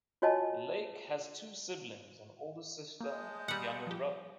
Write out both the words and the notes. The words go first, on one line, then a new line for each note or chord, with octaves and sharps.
Laich has two siblings, an older sister and younger brother.
F4 F#4 C#5 D#5 G#5 A5
G#3 A#3 A5 D#6 G6
G3 F#5
F3 G4